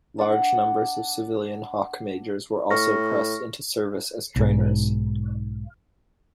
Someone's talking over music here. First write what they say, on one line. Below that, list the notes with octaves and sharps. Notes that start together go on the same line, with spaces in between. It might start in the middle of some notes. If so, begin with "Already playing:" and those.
Large numbers of civilian Hawk Majors were also pressed into service as trainers.
D4 F#5
A2 C#6 F6 A#6
B1 G#2